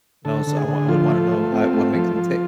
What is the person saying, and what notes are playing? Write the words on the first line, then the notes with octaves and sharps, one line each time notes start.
You know, so I wou I would wanna know how what makes him tick,
D3 A4
D3
G#4
D3
F3 F4
A3
A3
C4
A3
F3
F3